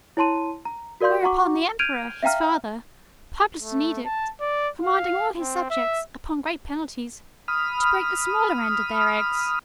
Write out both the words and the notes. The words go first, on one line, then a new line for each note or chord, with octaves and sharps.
Whereupon the emperor his father published an edict, commanding all his subjects, upon great penalties, to break the smaller end of their eggs.
E4 C#5 A5 C6 D#7
A#5
F#4 A#4 D5 F5 C6 G6
F#4 F#5 A#5 C#6 D6
F6 G6 G#6 D7 D#7 F7
E5 F5 G5 A#5 F6
A3
A5
D5
F5
C4
E5
B5 D#6 F6